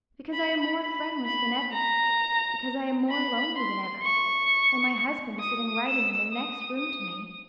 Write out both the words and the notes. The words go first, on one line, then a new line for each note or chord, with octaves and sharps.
Because I am more friendless than ever; because I am more lonely than ever, though my husband is sitting writing in the next room to me.
B5
B5
B5
A#5
B5
C6
C#6
D#6
E6
D#6
D#6